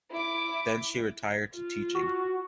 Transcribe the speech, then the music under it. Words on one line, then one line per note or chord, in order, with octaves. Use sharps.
Then she retired to teaching.
E4 D6
F4
F#4